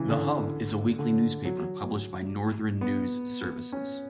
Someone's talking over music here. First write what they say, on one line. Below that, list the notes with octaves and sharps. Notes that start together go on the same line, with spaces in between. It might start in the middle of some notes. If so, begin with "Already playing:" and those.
"The Hub" is a weekly newspaper published by Northern News Services.
Already playing: C#3 E3
D3
D3
F#3
B3
C#4